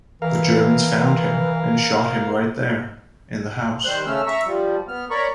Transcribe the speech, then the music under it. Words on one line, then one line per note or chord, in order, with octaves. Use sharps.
The Germans found him and shot him right there, in the house.
E3 A#4 F5
D#3 G3 C5 F#6
C#3 A3 C#4 E6 F6
E5 A#5 C#6 E6
F3 G3
B3 F6
A#4 C#5 D5 A#5 B5 C#6